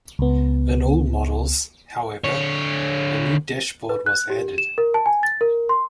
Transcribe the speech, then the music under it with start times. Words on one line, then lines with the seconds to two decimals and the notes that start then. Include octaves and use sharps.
In all models, however, a new dashboard was added.
0.19 C#2 B3
2.24 D3 C#5
3.89 B4
4.06 F#6
4.30 G4
4.58 E7
4.78 A#4
4.94 A5
5.06 G#5
5.23 A6
5.41 A#4
5.69 C6